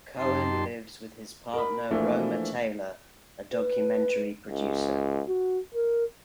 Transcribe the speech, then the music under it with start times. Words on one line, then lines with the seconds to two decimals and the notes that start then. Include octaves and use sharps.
Cohen lives with his partner Roma Taylor, a documentary producer.
0.18 F#2 D#4 G4 A5 C6
1.53 A#4 B5
1.91 E3 F3 A3 A#3 D4
3.54 B4
4.47 C#2
5.28 F#4
5.75 A#4